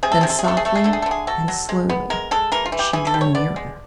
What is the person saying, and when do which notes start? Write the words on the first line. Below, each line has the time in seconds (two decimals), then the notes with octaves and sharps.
Then, softly and slowly, she drew nearer.
0.03 C3 G#4
0.12 A4
0.21 C3 G#4
0.30 A4
0.39 G#4
0.44 A3 A4
0.57 G#4
0.65 A3 A4
0.75 G#4
0.84 D3 A4
0.93 G#4
1.02 D3 A4
1.11 G#4
1.27 F#3 A4
1.48 F#3
1.69 G#3
1.89 B3
2.10 G#3 A#4
2.31 G#3 A4
2.52 E3 A#4
2.66 F4
2.72 E3
2.79 G4
2.93 E3 G#4
3.07 A4
3.14 G3
3.21 C#5
3.35 B3 D5
3.56 G#3